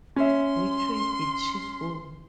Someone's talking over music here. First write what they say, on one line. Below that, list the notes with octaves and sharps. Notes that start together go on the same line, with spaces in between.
Which way did she go?
C#4 E5 C6